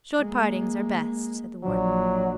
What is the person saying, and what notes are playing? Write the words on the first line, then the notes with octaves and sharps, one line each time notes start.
"Short partings are best," said the Warden.
G#3 A#3
A#1 F#3 D4